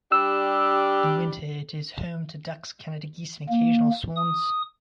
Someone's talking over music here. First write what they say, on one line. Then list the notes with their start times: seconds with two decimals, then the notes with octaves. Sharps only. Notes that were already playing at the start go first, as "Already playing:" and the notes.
In winter it is home to ducks, Canada geese and occasional swans.
0.12 G3 D4 G4 E6
3.49 A#3
4.16 D#6